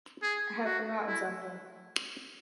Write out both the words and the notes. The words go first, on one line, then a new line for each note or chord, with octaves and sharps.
I have forgotten something.
G#4
F#4
E4